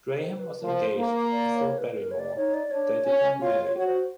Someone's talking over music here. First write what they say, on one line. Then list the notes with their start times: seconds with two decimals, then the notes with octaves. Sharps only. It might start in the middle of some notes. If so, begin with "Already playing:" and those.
Graham was engaged to Ethel Barrymore, but they did not marry.
0.17 C5
0.39 B4
0.62 F3 A#4
0.86 C5
0.97 A#3
1.32 D5
1.56 C#5
1.78 B4
2.02 A#4
2.11 C#5
2.19 D5
2.36 D#4 C#5
2.54 D5
2.71 D4 C#5
3.06 C#4
3.40 F4 C#5
3.64 C#5
3.75 F#4 C#5
3.87 C5